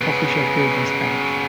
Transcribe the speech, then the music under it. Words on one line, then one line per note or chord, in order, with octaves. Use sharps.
Official page in Spanish.
C#3 B3